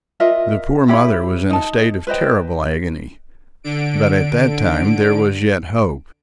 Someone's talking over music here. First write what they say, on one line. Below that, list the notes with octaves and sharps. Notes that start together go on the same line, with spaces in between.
The poor mother was in a state of terrible agony, but at that time there was yet hope.
F4 A#4 D#5 E5
E4 G4 C#5 B5
D#4 A5
B4 C5 D#5 G5
D3 D7